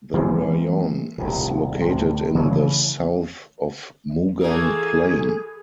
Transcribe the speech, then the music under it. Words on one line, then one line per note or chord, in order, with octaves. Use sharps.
The rayon is located in the south of Mugan plain.
E3 G#3 A#3 C4
D#1 C2 A2 C3
D2 A2 C3
C#3 E3 A3
E3 A3 A#3 G#4